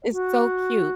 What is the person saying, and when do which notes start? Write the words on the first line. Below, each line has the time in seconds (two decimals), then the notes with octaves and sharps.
It's so cute
0.12 F#4